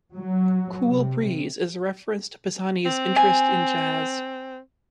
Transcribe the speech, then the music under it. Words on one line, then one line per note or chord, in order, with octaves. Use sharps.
"Cool Breeze" is a reference to Pisani's interest in Jazz.
F#3
C3
C4
G#5